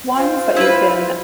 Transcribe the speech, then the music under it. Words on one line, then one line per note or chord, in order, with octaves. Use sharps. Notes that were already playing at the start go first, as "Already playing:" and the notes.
ones that you can
F4 C5
E4 B4